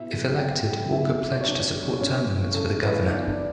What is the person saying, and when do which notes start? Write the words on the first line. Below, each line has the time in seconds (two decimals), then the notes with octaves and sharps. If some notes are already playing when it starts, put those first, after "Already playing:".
If elected Walker pledge to support term limits for the Governor.
Already playing: B2 E4 E5
0.10 F#3
0.37 B2 G4 G5
0.64 F#3
0.91 B2 E4 E5
1.19 F#3
1.41 C#5
1.45 B2 D4 D5
1.73 F#3
2.00 C#3 C#4 C#5
2.27 E3
2.54 C#3 A4
2.82 E3 B4
3.08 B2 D4 D5
3.27 D4 D5
3.36 F#3